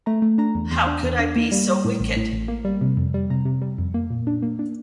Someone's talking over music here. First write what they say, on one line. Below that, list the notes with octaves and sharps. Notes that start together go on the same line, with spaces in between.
How could I be so wicked?
A3 A#5
A3
D4 A#5
E2
E2 C6
D4
E2
D4
A#3
G3
G3
A2
A1
A2
A1
A#3
G3
C3
F2
G3
C3 A#5
C3
G3
F2
A#3
A#2
D4
A#3
D4